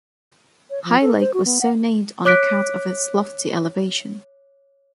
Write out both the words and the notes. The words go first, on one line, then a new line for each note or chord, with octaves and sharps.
High Lake was so named on account of its lofty elevation.
C#5
F3
A4
C5
F#4
B3
F#5
C#5 D6 F#6 B6 D7